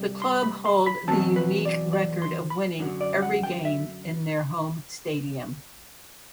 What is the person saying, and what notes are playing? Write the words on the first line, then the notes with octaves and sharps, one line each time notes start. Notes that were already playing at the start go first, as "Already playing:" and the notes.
The club hold the unique record of winning every game in their home stadium.
Already playing: C3 G3
C6
B5
C6
B5
E2 B2 F#3 C4 A5
B4
D5
D5
C6
B5
F#2 D3 F#3
D5
F#5
G5
E5